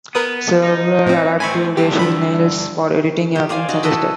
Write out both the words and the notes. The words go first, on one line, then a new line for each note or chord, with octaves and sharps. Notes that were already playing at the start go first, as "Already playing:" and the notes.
Several adaptive rationales for editing have been suggested.
B3 A#4 B4 D#6
D#4
A2 C4
A2 C4 G#5 B5 C#6
G2 D3 G4
F3 B5
G4
C5 D5 F5 G#5
D#4 F#4 D5
E4 A4 B4 D#5